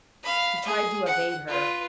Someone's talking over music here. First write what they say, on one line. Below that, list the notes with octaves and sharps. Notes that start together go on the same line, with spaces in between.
He tried to evade her.
F5 B5
G#4
F#5
F4 B4